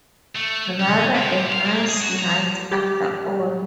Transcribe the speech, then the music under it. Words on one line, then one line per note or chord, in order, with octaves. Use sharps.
Rather a nice night, after all.
A3
C#4
C3
F5
A#3
G#4
F#4
A#5
G4